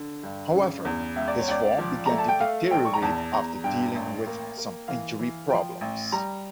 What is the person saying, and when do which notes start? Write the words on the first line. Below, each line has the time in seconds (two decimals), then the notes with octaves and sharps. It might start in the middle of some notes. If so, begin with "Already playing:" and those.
However, his form began to deteriorate after dealing with some injury problems.
Already playing: D3
0.23 G2
0.54 C#3
0.85 E2
1.16 C#2 E5
1.28 D5
1.39 C#5
1.48 C#2 D5
1.78 F3
2.06 A3 A#5
2.18 A5
2.28 G5
2.40 A3 F5
2.71 A#1 G5
2.85 C#6
2.93 A#5
3.02 E2 A5
3.33 E2 A#5
3.64 G2 G5
3.95 A1
4.27 A#3
4.57 A#3
4.88 E3 F5
5.19 E3
5.50 F3 G5
5.81 A1
6.12 G3 A#5